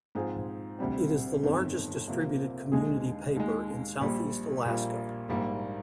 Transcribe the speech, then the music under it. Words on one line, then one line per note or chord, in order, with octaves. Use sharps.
It is the largest distributed community paper in Southeast Alaska.
G#2 F3 C4 F4 G#4
D2 C3 G3 C4
G1 F2 D#3
C2 C3 F3 A#3
D#2 D3 G#3 D#4 G#4
D#2 D#3 G#3
A#1 A#2 G3
A#1 A#2 G3 A#3 F4
A#1 G#2 G3 A#3